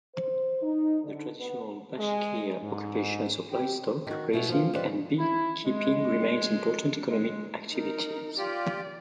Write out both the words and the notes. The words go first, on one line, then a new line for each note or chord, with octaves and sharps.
The traditional Bashkir occupations of livestock raising and beekeeping remain important economic activities.
C5
D#4
D3
B3
G#3
G#2
G4
D#3 F#4
B2 E4 F#4
F3 F4
D#4 F4 G4 B4 C5 D5
E4
G#3
G#3
D#4 A#4
F4 G4 D5